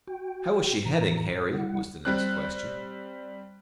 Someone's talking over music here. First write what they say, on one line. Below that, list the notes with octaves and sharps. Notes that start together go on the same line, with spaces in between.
"How is she heading, Harry?" was the next question.
F#4 G5
A2 E3 A#5
G3 E4 F#5
G3 C4 F#6